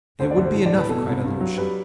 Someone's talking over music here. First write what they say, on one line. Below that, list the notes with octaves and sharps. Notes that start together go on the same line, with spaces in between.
"There would be enough!" cried Alyosha.
D2 C5
D5
D2
C5
A2
D5
A2
B4
B2 A4
C2
G2
F#3
G3 B4